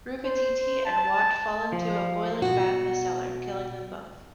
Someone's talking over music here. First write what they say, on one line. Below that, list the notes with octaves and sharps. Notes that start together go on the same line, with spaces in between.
Rubbatiti and Watt fall into a boiling vat in the cellar, killing them both.
C5
A5
F3
B2 F#4